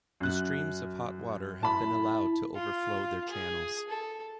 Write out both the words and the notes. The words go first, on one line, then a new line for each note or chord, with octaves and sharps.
The streams of hot water have been allowed to overflow their channels.
F#2 F#6
E4 A5 B5
F4
G#4
A4